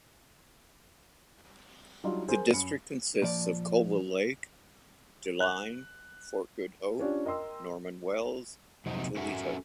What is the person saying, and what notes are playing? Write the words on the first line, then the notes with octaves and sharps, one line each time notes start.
The district consists of Colville Lake, Deline, Fort Good Hope, Norman Wells and Tulita.
F#3 G3 D4 D#4 F4
G#4 A#4 C5 G#5
F#2 B5 C#7
A#2 F3 D5
F#6
C#4 D4 F4 G4
A#4 D#5 G5 C6 E6
F2 C3 F#3 D#4
C#4 F#4 A4 A#4 E5 F#5